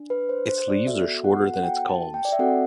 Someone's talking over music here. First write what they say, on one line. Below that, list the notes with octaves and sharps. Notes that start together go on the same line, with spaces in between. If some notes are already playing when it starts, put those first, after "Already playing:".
Its leaves are shorter than its culms.
Already playing: D4
B4
C5
C5
D5
B3 F#4 A4 E5
F#5
F#5
G5
A5
G5
D5
E5
C4 F#4 A4 F#5